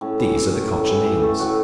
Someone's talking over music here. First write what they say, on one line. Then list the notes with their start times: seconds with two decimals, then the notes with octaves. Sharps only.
These are the Cochineals.
0.01 A2 C#4
0.19 E3
0.37 A2
0.54 A3
0.71 A2
0.89 E3
1.05 A2
1.23 A3
1.39 A2 F#4